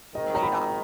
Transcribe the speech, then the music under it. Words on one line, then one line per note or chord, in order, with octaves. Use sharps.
laid off.
G#1 G#2 D#3 D#5
A#5
B5